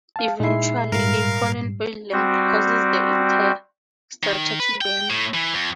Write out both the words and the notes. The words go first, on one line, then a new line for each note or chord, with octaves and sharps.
Eventually, a fallen oil lamp causes the entire structure to burn.
F5 A5
A#2 G#3 D#4 E4 C7
G#2 G3 A#4 F5
G3 C4 F#4
D#3
B4
G5
A2
E3
F2